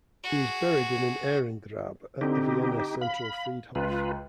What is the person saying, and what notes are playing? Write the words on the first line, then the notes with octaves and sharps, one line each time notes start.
He is buried in an Ehrengrab at the Vienna Zentralfriedhof.
F#4 G#4
D3 C4 D#4 G4
F5 B5
C#2 F4 B4